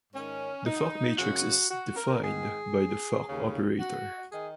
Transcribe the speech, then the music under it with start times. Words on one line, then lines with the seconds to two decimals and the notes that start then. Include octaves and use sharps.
The Fock matrix is defined by the "Fock operator".
0.13 G#2 D#3 C#4
0.66 D#4
1.18 F#2 C#3 F#4
1.70 F#4
1.96 A#4
2.22 G#2 D#3 G#4
3.27 D#2 C#3
3.79 F#4
4.31 D#3 G#4